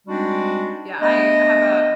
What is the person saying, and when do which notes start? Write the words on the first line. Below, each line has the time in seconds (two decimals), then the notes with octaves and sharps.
Yeah, I I have a
0.07 G3 G#3 C4 D4 D#4 F#4
1.00 A3 B3 D4 D#5